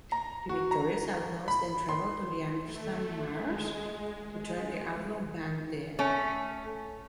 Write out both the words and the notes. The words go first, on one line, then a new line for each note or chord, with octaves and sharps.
The victorious outlaws then travel to Liangshan Marsh to join the outlaw band there.
A#5
F#4
A#5
B5
C6
A3
G#3
G#3
A3 C#4